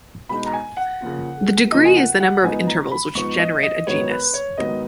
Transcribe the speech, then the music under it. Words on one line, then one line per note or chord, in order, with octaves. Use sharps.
The "degree" is the number of intervals which generate a genus.
B2 G#3 D#4 B5
A#5
G#5
F#5
C#3 F3 A#3 F4
C#3 F3 A#3 F4 D#5
G#5
F#5
F#5
G#2 F3 B3 D#4 G#5
A#5
B5
G#2 F3 B3 D#4 C#6
D#5
D#5
G#2 D#3 F#3 B3 C#5
B4
C#5
G#2 D#3 F#3 B3 D#5